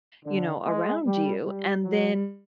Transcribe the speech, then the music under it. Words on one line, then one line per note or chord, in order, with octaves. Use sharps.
you know, around you, and then
D3
G#3
G3
G3
F#3